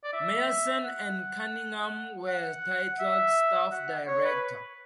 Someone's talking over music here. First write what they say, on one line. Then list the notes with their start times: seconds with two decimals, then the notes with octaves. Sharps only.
Meyerson and Cunningham were titled "Staff Director".
0.04 D5
0.13 E5
0.84 F#5
2.28 F#5
3.00 E5
3.71 F#5
4.07 C#5
4.25 B4